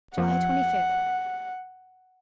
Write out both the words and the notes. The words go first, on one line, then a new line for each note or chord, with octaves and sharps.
July Twenty-fifth.
F2 F3 F#5